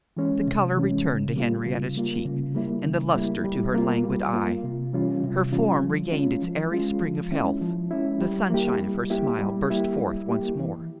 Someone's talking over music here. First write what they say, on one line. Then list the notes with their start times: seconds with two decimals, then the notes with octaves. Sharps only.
The colour returned to Henrietta's cheek and the lustre to her languid eye: her form regained its airy spring of health; the sunshine of her smile burst forth once more.
0.17 E3 G#3 C#4
0.47 C3
0.76 E3 G#3 C#4
1.06 C#3
1.36 G3 A#3 F4
1.66 C#3
1.96 G3 A#3 F4
2.25 C#3
2.55 G3 A#3 E4
2.85 C#3
3.14 G3 A#3 E4
3.44 G3
3.74 A#3 F4
4.04 G3
4.33 A#3 F4
4.63 C3
4.93 E3 G3 C#4 F4
5.23 C3
5.52 E3 G3 C#4 F4
5.82 F3
6.12 G#3 C#4 F4
6.42 F3
6.72 G#3 C#4 F4
7.02 F3
7.31 G#3 C#4 E4
7.61 F3
7.91 G#3 C#4 E4
8.21 G3
8.50 A#3 E4 G4
8.80 G3
9.10 A#3 E4 G4
9.39 G3
9.70 A#3 E4 G4
9.99 G3
10.29 A#3 E4 G4
10.59 E3